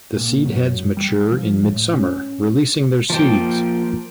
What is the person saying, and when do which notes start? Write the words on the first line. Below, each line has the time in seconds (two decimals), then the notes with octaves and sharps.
The seed heads mature in mid-summer, releasing their seeds.
0.16 A#2
0.45 F#2
0.97 G3
1.32 F3
1.63 A2
1.93 C#4
3.10 F3 A#3 G5